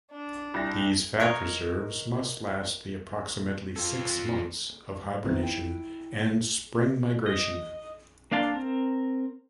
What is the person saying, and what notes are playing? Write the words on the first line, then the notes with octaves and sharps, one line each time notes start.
These fat reserves must last the approximately six months of hibernation and spring migration.
D4
C2 A#6
A#4 C#5 D#5 F5
F4 A4
G3
D#3 B3 C4 E4
E4 G5
D#5
A#3 D4 F5 A5 C6
C4 A#4